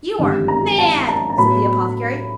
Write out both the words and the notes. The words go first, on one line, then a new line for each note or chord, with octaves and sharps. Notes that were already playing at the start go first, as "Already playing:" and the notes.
'You are mad!' said the apothecary.
G#1 G2 D3 G3
A#5
A5
A#5
A#5
A2 F#3 B3 B5